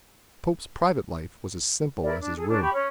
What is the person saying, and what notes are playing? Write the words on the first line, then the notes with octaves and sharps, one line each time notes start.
The Pope's private life was as simple as His room.
E4 A#4 D5
D4
G#4 A4
C#4 D4 A#4
G4 B5 C#6
C#4